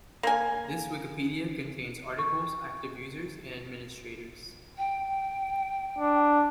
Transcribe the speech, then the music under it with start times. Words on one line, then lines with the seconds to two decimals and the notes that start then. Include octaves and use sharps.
This Wikipedia contains articles, active users, and administrators.
0.23 A#3 G#5
2.19 C#6
4.78 G5
5.99 D4